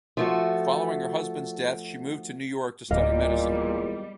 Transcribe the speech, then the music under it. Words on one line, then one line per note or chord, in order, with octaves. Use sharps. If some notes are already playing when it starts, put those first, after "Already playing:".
Following her husband's death she moved to New York to study medicine.
F3 A3 F#4
D1 E2 A#2 G3 D#5 F5